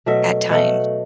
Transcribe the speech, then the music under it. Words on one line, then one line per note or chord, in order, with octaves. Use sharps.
at times.
B2 F#3 A3 E5
B2 F#3 A3 F#5